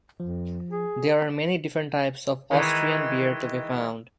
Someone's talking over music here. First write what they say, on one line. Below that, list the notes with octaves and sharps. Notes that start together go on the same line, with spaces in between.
There are many different types of Austrian beer to be found.
F2 F3
G#4
D#3 E3 G#3